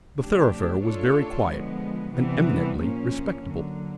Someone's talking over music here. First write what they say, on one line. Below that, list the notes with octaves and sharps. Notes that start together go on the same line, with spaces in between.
The thoroughfare was very quiet and eminently respectable.
C3 F3 A3 D4 G4
A3 D4 F4 A4 C#5
D3 F3 G#3 B3
C3 E3 G3 B3
A#2 F3 A#3 C#4
D3 F#3 A#3